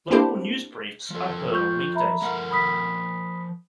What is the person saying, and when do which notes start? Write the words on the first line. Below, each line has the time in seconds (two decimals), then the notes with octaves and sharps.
Local news briefs are heard on weekdays.
0.11 A#3 C4 D4 E4 G4 C5
1.10 F3 A4
1.51 F4 C#6 G6
1.95 E5 A#5 B5
2.22 F3 A#4 F#5
2.51 B5 D#6 B6